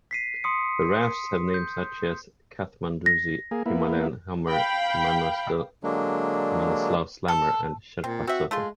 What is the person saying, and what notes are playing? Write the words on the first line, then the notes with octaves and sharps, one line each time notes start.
The rafts have names such as "Kathmandoozy", "Himalayan Hummer", "Manaslu Slammer", and "Sherpa Surfer".
B6 C7 D#7
C6 D#6 C#7
G6
A#6
A#3 G#4
A#3 B3 E4
F5 G5 B5
D3 F#3 G#3 A#3 D4
A4
A#2 C4
C4 F#4 E5
G#3 A3 F4 C6